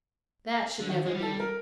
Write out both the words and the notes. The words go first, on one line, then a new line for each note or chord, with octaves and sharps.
That should never be.
D3
D#3 F#4
G#3
G3
A4
A#4